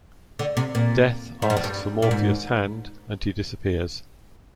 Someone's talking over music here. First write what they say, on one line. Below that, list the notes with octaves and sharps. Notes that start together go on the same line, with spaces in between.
Death asks for Morpheus' hand, and he disappears.
D3
C3
A#2
G#2
G2
F2
G2
A#2
G#2